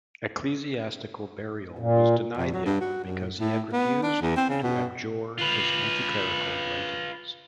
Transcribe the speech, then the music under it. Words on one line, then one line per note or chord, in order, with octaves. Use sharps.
Ecclesiastical burial was denied him because he had refused to abjure his anti-clerical writings.
A#2
F2
F#3
G2
F#4
F#2
A2
B3
D4
E2
C4
C#3
B2
F4 B4